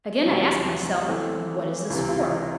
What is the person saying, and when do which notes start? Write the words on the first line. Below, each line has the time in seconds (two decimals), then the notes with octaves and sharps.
Again I ask myself, What is this for?
0.25 E2 C3 F#3
1.08 E3 A3 C4
1.90 C#2 C3 E3